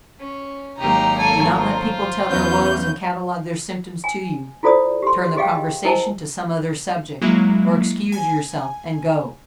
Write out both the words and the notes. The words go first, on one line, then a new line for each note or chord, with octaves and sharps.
Do not let people tell their woes and catalogue their symptoms to you; turn the conversation to some other subject, or excuse yourself and go.
C#4
G#1 F#3 A#3 D#4 G4 A#5
A4 G#5
F4 C5
E2 B3 C#4 G6
G#5
E4 F4 A4 C5 D5 D#6
G4 C6
G4 G#4 D#5 F5 G5
D#5
E4 A#4 C5 D#5 G#5 A5
F#3 G#3 A#3 E4
G#5